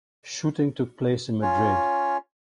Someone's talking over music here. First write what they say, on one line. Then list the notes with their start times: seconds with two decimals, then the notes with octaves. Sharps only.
Shooting took place in Madrid.
1.42 C#4 F4 C#5